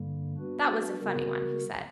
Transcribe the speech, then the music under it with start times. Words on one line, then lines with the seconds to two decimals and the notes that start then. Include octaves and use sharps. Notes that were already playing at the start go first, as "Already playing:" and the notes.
"That was a funny one," he said.
Already playing: G2 D3 G3 A#3
0.36 G3 B3 D4 F#4 B4
0.99 C#3 G3 B3 F#4 A#4